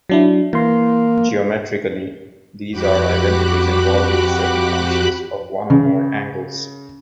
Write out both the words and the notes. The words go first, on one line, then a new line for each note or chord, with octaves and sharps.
Geometrically, these are identities involving certain functions of one or more angles.
F#3 D4 E4
E3 A#3 C6
F2 F#4 G4 B5 D6 F#6
C#3